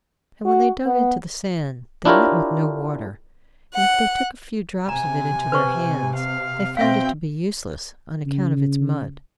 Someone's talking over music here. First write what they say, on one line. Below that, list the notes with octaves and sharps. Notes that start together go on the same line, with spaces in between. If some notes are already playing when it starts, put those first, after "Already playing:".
And when they dug into the sand, they met with no water; and if they took a few drops of it into their hands, they found it to be useless, on account of its mud.
F#4
B3
D4 E4 F4 G4 A#4 C#5
F#5
C3 G#5 A#5
B4 C5 C#6
F5
B2 C4 E5 F5 G5
C#3